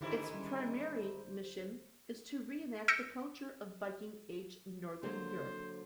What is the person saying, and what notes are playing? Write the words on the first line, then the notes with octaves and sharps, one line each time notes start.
Its primary mission is to reenact the culture of "Viking Age" Northern Europe.
G#2 D3 D#3 E4 G4 C5
G3 C#4
C5
E6 G6 A#6 C#7 D7
D3 F#3 A#3 C5